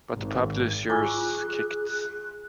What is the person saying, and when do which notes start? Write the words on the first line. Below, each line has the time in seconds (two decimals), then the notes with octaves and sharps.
But the publishers kicked.
0.13 G#1
0.90 F4 G#4 G#5 C#6 D6 E6 F#6